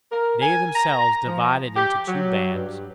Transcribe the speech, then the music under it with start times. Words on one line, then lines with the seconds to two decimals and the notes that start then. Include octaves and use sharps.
They themselves divided into two bands.
0.12 A#4
0.41 G#5
0.75 A#5
1.26 F3
1.76 G4
2.08 F#3
2.53 G2